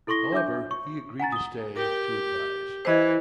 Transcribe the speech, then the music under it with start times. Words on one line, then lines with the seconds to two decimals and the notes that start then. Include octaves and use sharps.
However, he agreed to stay to advise.
0.07 E4 A4 C6 C#6 A#6 G7
0.32 D4 E5 D6 G6
0.71 C#6
1.20 F#5 G#5 A#5 A6
1.32 D#6 G7
1.76 G4 A#4 G5
2.85 E3 C5 D#5 G#6